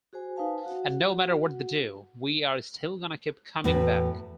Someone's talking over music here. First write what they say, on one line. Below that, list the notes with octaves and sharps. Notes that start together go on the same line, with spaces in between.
And no matter what they do, we're still gonna keep coming back.
F#4 G#4 C5 G#5
D#4 B4 C5 F5 G#5 A5
F#4 F#5
E2 A2 F#4 B4